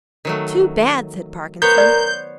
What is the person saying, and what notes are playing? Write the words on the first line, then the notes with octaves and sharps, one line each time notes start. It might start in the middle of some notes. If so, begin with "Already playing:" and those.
"Too bad!" said Parkinson.
D#3 F#3 A3
B3 A#4 C5 C#5 G6
D5